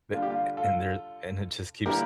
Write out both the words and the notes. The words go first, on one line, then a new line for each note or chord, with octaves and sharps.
Th a and there and it just keeps
D3 G3 D4 F4
G4
F4
F4 A4
D3 G3 A#3 E4 G4 A#4